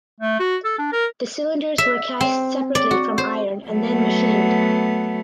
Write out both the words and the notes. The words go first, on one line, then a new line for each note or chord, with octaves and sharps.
The cylinders were cast separately from iron and then machined.
A3
F#4
A4
D4
A#4
E5
C4
D5
F#4
C5
F#3 A3 B3